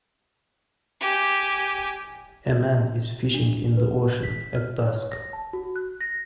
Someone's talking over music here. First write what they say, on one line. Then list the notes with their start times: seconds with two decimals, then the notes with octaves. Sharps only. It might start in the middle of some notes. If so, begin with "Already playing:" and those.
A man is fishing in the ocean at dusk.
1.00 G4 G#5
3.34 D4
3.77 B4
4.23 B6
4.56 F6
4.86 C#5
5.11 A#6
5.33 A5
5.53 F#4
5.76 F#6
6.01 A#6